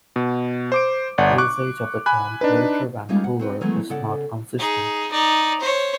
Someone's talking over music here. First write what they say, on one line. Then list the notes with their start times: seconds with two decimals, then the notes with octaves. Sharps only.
Usage of the term "Greater Vancouver" is not consistent.
0.16 B2
0.72 C5 D6 D7
1.18 G1 D5 F#5
1.38 C#6 D6 F#6 D7
2.06 G#5 B5 F#6
2.41 D4 D#4 B4
3.09 G3 G#3 A#3 C#4 D#4 F4
3.24 F#5
3.39 C4 F#4 B4
3.61 D#3 E3 F#3 G#3 A3 B3
3.89 C#3 A4 D5 F#5
4.59 D#4 G#4
5.11 D#4 D5
5.60 C5 C#5